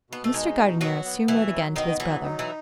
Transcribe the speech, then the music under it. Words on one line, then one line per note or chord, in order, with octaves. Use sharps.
Mr. Gardiner soon wrote again to his brother.
B2 B3
A3
G#3 D#4
B2
F#3 B3 F#4
B3
B2 E3 E4
F#3
D#3 B3 D#4
E3 F#3 E4
D#4
E3 E4